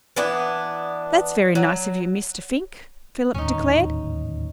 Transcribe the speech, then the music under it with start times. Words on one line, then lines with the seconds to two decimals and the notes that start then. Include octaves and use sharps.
"That's very nice of you, Mr. Fink," Philip declared.
0.16 E3 B3 D4
1.55 F#3
3.34 D1 D#2 G#2 C#4 D#4